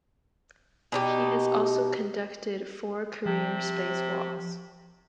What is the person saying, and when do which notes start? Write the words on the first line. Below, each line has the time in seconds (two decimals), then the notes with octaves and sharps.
He has also conducted four career spacewalks.
0.92 B2 D#4 G4
3.26 C3 F3